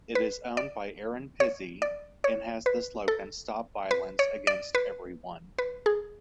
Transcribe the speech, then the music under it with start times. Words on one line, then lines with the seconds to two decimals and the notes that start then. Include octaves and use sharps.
It is owned by Erin Pizzey and has the slogan "Stop Violence Against Everyone".
0.15 B4
0.57 D5
1.40 C#5
1.82 D5
2.24 C#5
2.66 B4
3.08 A4
3.91 B4
4.19 C#5
4.47 D5
4.75 B4
5.58 B4
5.86 G#4